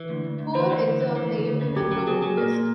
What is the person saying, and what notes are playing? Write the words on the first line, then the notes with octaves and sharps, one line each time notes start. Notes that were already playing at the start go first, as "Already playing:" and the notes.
Four eggs are laid in a ground nest.
Already playing: E3
D2
D2
D2
E3 C5
E3
D2
E3
E3
D2
D2
C#3
F#3 G4
F#3
F#3 G#4
F#3
A#2 A#4
A#2